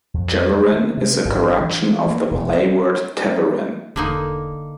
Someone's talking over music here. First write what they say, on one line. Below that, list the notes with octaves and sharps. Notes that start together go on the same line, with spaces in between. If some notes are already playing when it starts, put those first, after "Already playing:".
'Jawaran' is a corruption of the Malay word "tawaran".
F2
A3
D#3
C3
G#1
D4
E3
A#3
E1
E1 D3 A#3 D#4